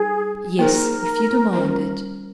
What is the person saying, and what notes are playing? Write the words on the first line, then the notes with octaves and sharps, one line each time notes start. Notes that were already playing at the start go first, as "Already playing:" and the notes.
"Yes, if you demand it."
Already playing: G3 D#4 G#4
A#3 D#4 G#4 A#4 C5
G3 C#4 F4 C5